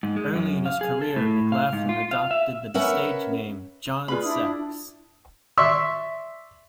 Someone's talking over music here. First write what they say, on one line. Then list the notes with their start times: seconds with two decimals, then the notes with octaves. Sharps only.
Early in his career, McLaughlin adopted the stage name "John Sex".
0.03 G#2
0.17 G#3
0.36 F#2
0.66 F5
0.81 G#4
1.02 A4
1.16 A2
1.52 F5
1.73 G#2
1.89 F4
2.11 F5
2.31 E5
2.74 C#4 A#4 B4 E5 F#5
4.08 F4 G#4 B4 D5 B5
4.23 D4 E4 D#6
5.58 D5 E5 C6 C#6 E6